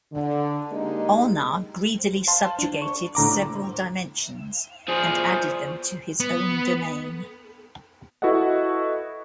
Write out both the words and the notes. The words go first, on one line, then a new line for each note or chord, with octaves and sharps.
Olnar greedily subjugated several dimensions and added them to his own domain.
D3
G#3 A#3 D4 D#4 G4 A#4
F5 A5 C6
D4
C#6
A2 D3 A#5 D6
F3 G#4 C5
B3
E4 F#4 A4 B4 D#5 F#5